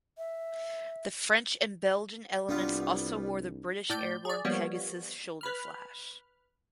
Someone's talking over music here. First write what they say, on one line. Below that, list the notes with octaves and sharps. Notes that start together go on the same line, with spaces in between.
The French and Belgian elements also wore the British airborne Pegasus shoulder flash.
E5
C2 G3 B3 D4 F4
A2 D5 G6
G#4 D5
F3 G3 A#3 B3 C#5
B4 B5 F6